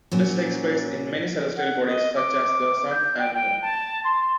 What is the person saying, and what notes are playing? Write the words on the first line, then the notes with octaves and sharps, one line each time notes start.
This takes place in many celestial bodies such as the Sun and Moon.
A#2 F#3 C#4
F#5
D#5
D6
G6
G5
G5
A5
C6